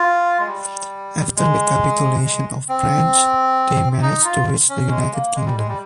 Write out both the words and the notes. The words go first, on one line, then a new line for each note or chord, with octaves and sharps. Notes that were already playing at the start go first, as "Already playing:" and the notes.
After the capitulation of France, they managed to reach the United Kingdom.
Already playing: F4
G#3
G3
G#3
G#3
C4
D#4
F4
C#4
G#3
A#3
G#3
G3
G#3
G3